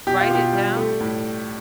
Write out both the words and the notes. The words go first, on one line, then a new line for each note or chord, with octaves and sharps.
write it down,
B2 G4
F4
B2 G4
G3
A3
A2